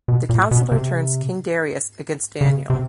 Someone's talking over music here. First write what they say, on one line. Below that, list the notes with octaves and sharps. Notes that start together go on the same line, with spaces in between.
The counsellor turns King Darius against Daniel.
B2
A#2
B2
C3
C#3
C3